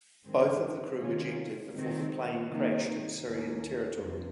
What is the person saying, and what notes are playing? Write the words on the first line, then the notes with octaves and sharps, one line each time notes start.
Both of the crew ejected before the plane crashed in Syrian territory.
G2 D#3 G#3 C4
C3 D#3 G#3 C#4 F4
C3 D#3 G#3 C4
C3 D#3 A#3 D#4
D#2 D#3 A#3 C#4
F2 C3